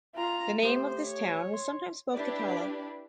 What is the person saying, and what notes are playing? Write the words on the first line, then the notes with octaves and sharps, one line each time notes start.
The name of this town was sometimes spelled Catalla.
F4 A#5
A3 G4 C5
C#5
C6
D4 E4 G4 B4 D5